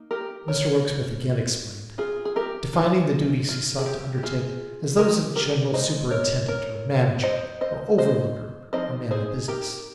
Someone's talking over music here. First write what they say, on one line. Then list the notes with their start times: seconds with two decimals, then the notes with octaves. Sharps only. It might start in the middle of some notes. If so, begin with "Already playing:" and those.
Mr Rokesmith again explained; defining the duties he sought to undertake, as those of general superintendent, or manager, or overlooker, or man of business.
Already playing: A#3 D#4
0.11 G4 A#4
0.48 A#4 C#5
1.98 F4 G#4
2.25 G#4
2.36 G4 A#4
2.73 G#3 D#4 F4
3.49 F4
3.79 G#4
3.86 G4
4.18 G4
4.23 F4 G#4
4.98 G4 A#4
5.36 G4 A#4
5.73 G#3 D#4 C5 D#5
6.11 A#4 C#5
6.48 A#4 C#5
7.23 C5 D#5
7.61 C5 D#5
7.98 C5 D#5
8.73 F3 C4 D#4 C5 D#5
9.11 G#4 C5
9.48 G4 A#4